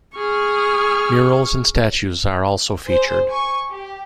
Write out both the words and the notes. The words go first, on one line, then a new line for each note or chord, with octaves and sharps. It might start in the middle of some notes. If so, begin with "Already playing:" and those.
Murals and statues are also featured.
G#4 C#6 F6
G#4 C5
G#5 C#6
G4